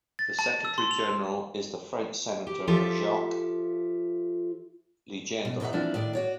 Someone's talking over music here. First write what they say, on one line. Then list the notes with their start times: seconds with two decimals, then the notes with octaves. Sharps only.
The Secretary General is the French senator Jacques Legendre.
0.19 A6
0.39 A5
0.65 E6
0.78 C6
0.91 F7
2.47 G4
2.67 F3 F4 G4 A4 E5
5.45 B2
5.60 A#2 D#4 F#4 E5 F#5
5.73 E3 F3 G3 A#3 C4 D4
5.94 A2 D#3 D4 D5
6.13 F#4 C#5 D5